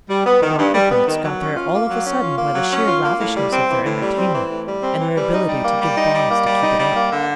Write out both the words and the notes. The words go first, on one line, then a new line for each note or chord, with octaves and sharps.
The Rockerbilts got there all of a sudden by the sheer lavishness of their entertainment and their ability to give bonds to keep it up.
G3
B3
D#3
G2
G3
B3
D#3
F#3
C#4
F4
A#3
F#3
C#4
F4
A#3
F#3
C#4
F4
A#3
A2
G3
C4
E3
A2
G3
C4
E3
A2
G3
C4
E3
G3
D#4
G3
A#3
G3
D#4
G3
A#3
G3
D#4
G3
A#3
D3